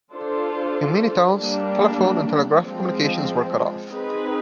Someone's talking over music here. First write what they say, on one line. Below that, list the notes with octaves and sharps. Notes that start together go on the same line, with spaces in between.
In many towns, telephone and telegraphic communications were cut off.
D4 F4 A4 C5
G3 A#3 D4
F3 G#3 C4
C4 D#4 G#4 B4